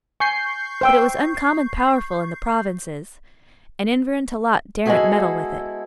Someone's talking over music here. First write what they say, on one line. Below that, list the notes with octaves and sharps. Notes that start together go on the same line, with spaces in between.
But it was uncommon powerful in the provinces, and Enver and Talaat daren't meddle with it.
G#5 C#6 G6 C7
C5 G5 E6
G#3 B3 E4 F#4 G#4 A4